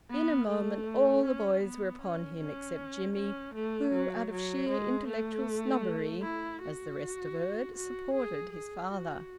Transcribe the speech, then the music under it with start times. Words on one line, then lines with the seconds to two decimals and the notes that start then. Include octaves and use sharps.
In a moment all the boys were upon him, except Jimmie, who, out of sheer intellectual snobbery, as the rest averred, supported his father.
0.11 B3
0.49 A3
1.26 C#4
1.64 B3
2.02 C#4
2.41 C#4
3.17 C#4
3.55 A3
3.93 F#3
4.32 F#3
4.70 G#3
5.08 A3
6.22 E4
6.61 F#4
7.76 F#4
8.14 G#4
8.53 G#4
8.91 F#4